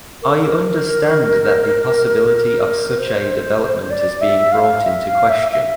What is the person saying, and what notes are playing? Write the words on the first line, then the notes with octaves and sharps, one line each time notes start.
I understand that the possibility of such a development is being brought into question.
A#4
A4
A#4
C5
D5
E5
F5
E5
F5
E5
E5